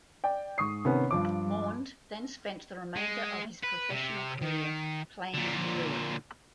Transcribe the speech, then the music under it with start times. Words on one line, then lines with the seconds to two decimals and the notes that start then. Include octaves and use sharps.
Maund then spent the remainder of his professional career playing in Europe.
0.24 D5 G5
0.58 G#2 C#6 D#6 C7
0.85 C3 D#3 B3 C#4
1.11 G2 F3 D6
2.96 G#3
3.63 B4
3.91 C3
4.41 D#3
5.34 A#2 D3